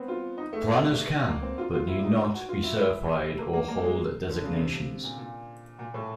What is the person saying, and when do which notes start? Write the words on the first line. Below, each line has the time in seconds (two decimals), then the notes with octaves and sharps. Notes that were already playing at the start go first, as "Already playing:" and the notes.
Planners can, but need not, be certified or hold designations.
Already playing: B3 C4
0.08 F4
0.38 D#4
0.53 A3
0.68 A#3
1.28 A#3
1.43 C4
1.58 F4
1.74 F4
1.88 E4
1.99 D4
2.04 D#4
2.33 F#4
2.49 F4
2.64 E4
2.78 E4
3.38 A#3
3.53 A#3
3.68 A#3
3.84 G#3
4.29 D3
4.44 C#3
4.59 C3
4.74 C3
5.04 A#2
5.18 A#2
5.79 A#2
5.94 A2